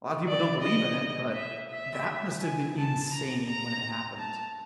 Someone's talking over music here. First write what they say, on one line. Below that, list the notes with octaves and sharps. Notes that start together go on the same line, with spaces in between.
A lot of people don't believe in it, but, that must have been insane when it happened.
D5
D#5
E5
E5
G#5
A5
A#5
A#5
A5